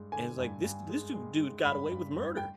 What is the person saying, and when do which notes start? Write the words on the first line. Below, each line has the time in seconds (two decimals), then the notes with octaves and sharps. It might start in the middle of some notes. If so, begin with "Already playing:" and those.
and it's like, this this du dude got away with murder
Already playing: G2 G#3
0.12 D3 G#5
0.38 G2
0.64 G2
0.89 G#3
1.14 G#3
1.40 G#3
1.65 G2 B5
1.92 G2
2.17 G2
2.37 G5